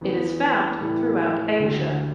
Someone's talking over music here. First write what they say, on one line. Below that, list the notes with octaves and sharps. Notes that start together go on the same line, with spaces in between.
It is found throughout Asia.
E2 E3 B3
A2 E3 G3 E4 A4
D2 D3 G3